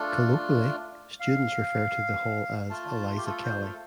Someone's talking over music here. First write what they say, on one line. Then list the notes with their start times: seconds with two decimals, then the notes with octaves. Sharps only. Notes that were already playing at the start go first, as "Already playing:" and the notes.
Colloquially, students refer to the hall as "Eliza Kelly".
Already playing: A3 D4 F4 A4
1.20 F5
2.70 A3 F4 A5
2.88 A5
3.07 C6
3.17 G4
3.26 A4
3.44 C5
3.63 A4